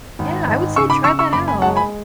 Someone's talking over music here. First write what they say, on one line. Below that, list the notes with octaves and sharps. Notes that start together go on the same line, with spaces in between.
Yeah, I would say try that out.
G#1
G#2
C#3 C#6 E6
B5 D6
C#3 C#6 E6
C#6 E6
F#1 B5 D6
G#5 B5
G#3 F#5 A5
G#5 B5